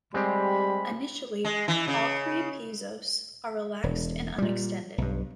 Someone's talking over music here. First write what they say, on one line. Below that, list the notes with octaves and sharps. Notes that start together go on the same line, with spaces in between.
Initially, all three piezos are relaxed and unextended.
G3 G#3 C4 G4 B5
G#3
E3
C#3
E1
A#2 G3
B1 G2